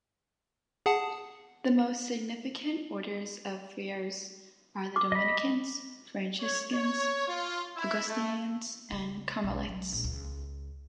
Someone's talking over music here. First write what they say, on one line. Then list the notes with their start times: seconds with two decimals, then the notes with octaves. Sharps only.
The most significant orders of friars are the Dominicans, Franciscans, Augustinians and Carmelites.
0.86 G#4 F#5 A5
4.96 D6
5.12 D#5 B5
6.40 C#5
6.72 C#5
7.28 F4
7.75 E4
8.08 A3
8.92 C#3
9.44 B1
9.67 F#3
9.92 A#1
10.04 C#2